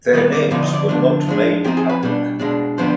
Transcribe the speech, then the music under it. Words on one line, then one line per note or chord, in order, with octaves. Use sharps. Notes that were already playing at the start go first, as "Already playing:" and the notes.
Their names were not made public.
D#3 G3 B3 D#4 D#5
D5
D3 F3 B3 D#4 D5
D#5
D5
D3 F3 B3 D4
F3 G#3 D4
F3 C4 D#4 G4
G#4
B4
B2 G3 D4
B2 G#3 D4
D3 F3 B3 D4 C5